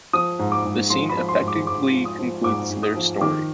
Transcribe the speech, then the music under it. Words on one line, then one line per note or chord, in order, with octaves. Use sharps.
The scene effectively concludes their story.
F3 D#6
G#2
D6
G#2
F3 C6
B5
F3
C6
G#2
D6
G#2 D6
F3
D#6
F3
G#2 D6
G#2
D#6
F3
D#3 D6